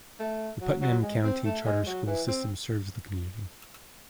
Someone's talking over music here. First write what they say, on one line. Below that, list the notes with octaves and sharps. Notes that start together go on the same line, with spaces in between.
The Putnam County Charter School System serves the community.
A3
F#3
F#3
G#3
C4
A3
G#3
F#3
E3
C4